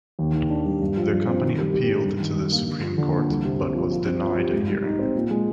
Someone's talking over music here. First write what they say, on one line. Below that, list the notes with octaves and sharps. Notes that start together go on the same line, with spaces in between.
The company appealed to the Supreme Court, but was denied a hearing.
D#2
D#3
D4
G3
G2
F3
G2
C4
D#3
G3
G4
D4
G2
D#3
G2
A#3
D3
F3
D3
A#3
C2
C3
C4
F3
F3
C4
F3
G4
G#2
G3
D#4
C4
A#2
G#3